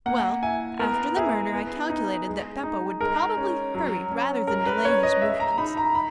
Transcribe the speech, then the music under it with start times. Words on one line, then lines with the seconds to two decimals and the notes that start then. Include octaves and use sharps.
Well, after the murder I calculated that Beppo would probably hurry rather than delay his movements.
0.06 A#3 F#5
0.42 E4 G#5
0.79 B3 A#4
1.16 E4 G#4
1.53 B3
1.90 D#4
2.27 G#3
2.63 D#4
3.00 G#3 A#4
3.37 C#4
3.74 F#3
4.11 C#4
4.47 G#3 A#4
4.66 B4
4.85 C#4 C#5
5.03 D#5
5.21 G#3 E5
5.40 A#5
5.58 D#4 B5
5.77 A#5
5.95 B5